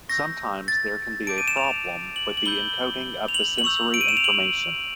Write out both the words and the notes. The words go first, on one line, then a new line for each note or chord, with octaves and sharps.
Sometimes there can be a problem with the encoding of the sensory information.
C#6 E6 G6 A#6
A6
A5 D6 G6 D7
D#7
E7
F7
F#7
F#7
B5 E6 G6 G7
F7
F#7
F#7
C#6 E6 G6 F7
D7
D#7
E7
F7
F#7